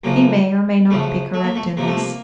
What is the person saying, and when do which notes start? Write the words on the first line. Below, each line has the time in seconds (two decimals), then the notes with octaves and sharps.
He may, or may not, be correct in this.
0.04 F#2 C#3 F3 A#3
0.90 F#2 C#3 F3 A3
1.34 A3
1.44 A#3
1.56 A3
1.77 F2 C3 F3 A#3
1.87 A3
1.97 A#3